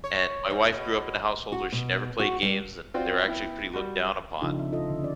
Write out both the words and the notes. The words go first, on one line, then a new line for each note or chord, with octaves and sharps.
And, my wife grew up in a household where she never played games and they're, actually, pretty looked down upon.
C#5
G#2
B2
F#4
B2
F#4
G3
C4 F4 F#4 D5 G5
B3 E4 G5
G3 F#4
C#3 F3 D4 D#4 F4 A4
C4 E5
F4 A4 D#5
D3
C#4 D5